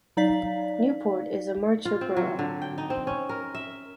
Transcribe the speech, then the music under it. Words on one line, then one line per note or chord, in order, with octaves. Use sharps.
Newport is a marcher borough.
F#3 D#4 D5 F5 B6
F4
C4
F#3
D3
G5
D#4
C4
C#4
A#4
E5